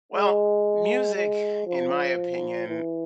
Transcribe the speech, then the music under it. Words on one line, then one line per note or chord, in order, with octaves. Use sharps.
Well, music, in my opinion,
G#3
G#3
F3
E3